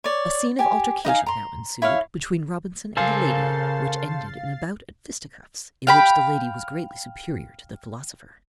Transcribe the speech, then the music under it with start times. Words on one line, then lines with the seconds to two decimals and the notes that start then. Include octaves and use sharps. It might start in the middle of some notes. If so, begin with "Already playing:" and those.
A scene of altercation now ensued between Robinson and the lady, which ended in a bout at fisticuffs, in which the lady was greatly superior to the philosopher.
0.04 C#5 D5
0.59 G4 G#5
1.05 D#4 D#5 F5 G#5
1.26 A#5 C6
1.82 E4 C#5 E5 F5
2.97 C#3 A4 A#4 C5 F5 G#5 A6 C7
5.87 F5 G5 B5